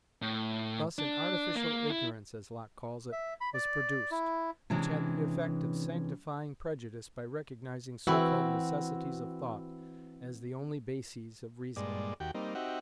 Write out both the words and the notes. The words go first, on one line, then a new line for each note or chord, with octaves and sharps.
Thus an 'artificial ignorance,' as Locke calls it, was produced, which had the effect of sanctifying prejudice by recognizing so-called necessities of thought as the only bases of reasoning.
A2
D4
A#3
E4
E5
B5
D5
E4
C3 E3 G#3 C#4 D4
E3 C4 E4 F#4
G2 A#2 G#3 D5
D#2 F#4 G4 G5
G3 A#3 C4 D#4
C4 D#4 F#4 G4 E5 F#5